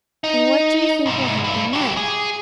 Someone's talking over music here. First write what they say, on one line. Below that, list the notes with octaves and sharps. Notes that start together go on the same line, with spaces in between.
And what do you think will happen then?
D#4
C2 G#2
G2
F#3 G4
G#4